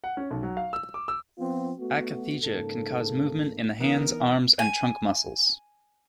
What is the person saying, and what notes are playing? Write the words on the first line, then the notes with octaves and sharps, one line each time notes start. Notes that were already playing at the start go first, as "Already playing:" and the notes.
Akathisia can cause movement in the hands, arms, and trunk muscles.
F#5
C#4
B1
F#3
F5
E6
D6
E6
F3 B3 C4 F4
A3 B3 F#4
G#2 C#3 A#3 A4
E3 B3 D#4 A#4
G#5